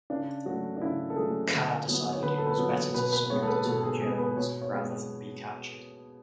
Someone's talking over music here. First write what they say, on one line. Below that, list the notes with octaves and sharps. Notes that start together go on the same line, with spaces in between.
Carr decided it was better to surrender to the Germans rather than be captured.
C#3 D4
F#3 A3 F#4
D4
C#3 E4
A4
F#3 A3 G#4
D3
F#3 B3
C#5
D3 B4
A4
B4
F#3 B3
C#5
B2 B4
B4
G#3 B3 C#5
A4
B4
B2 A4
G#4
G#3 B3 G#4
B4
B2 C#5
C#5
G#3 B3